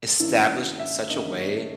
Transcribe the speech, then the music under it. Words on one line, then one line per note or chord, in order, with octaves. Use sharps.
established in such a way
G2 D#3 A#3 C#4 E4
E5
G2 D#3 A#3 C#4 D#5
C#5